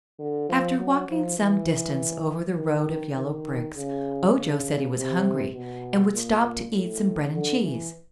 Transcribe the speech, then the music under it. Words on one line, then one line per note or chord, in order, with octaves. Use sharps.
After walking some distance over the road of yellow bricks Ojo said he was hungry and would stop to eat some bread and cheese.
D3
F3
F#3
F3
E3
D#3
D#3
C#3
C#3
C3
B2
A#2
A2
D3
E3